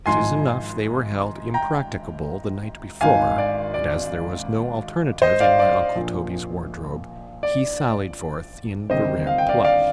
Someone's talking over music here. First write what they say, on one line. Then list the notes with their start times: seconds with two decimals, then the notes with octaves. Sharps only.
It is enough they were held impracticable the night before, and as there was no alternative in my uncle Toby's wardrobe, he sallied forth in the red plush.
0.06 G#1 G#2 F3 G#5 C6
1.54 G5 A#5
3.01 G#1 G#2 D#3 F5 G#5
3.38 D5
3.74 D5
5.22 C5 D#5
5.40 D5 F5
5.59 D5
5.95 A#1 A#2 F3
7.43 D5
8.90 D2 C3 D#3 G3 C5 D#5
9.27 F5
9.38 G5
9.49 D5 F5
9.64 D5 F5